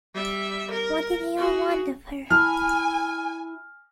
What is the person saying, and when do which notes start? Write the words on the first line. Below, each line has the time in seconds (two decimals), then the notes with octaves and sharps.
What did they all want of her?
0.14 G3 E5
0.71 A#4
1.37 F#4 G#4
2.30 E4 G#5 A5 F6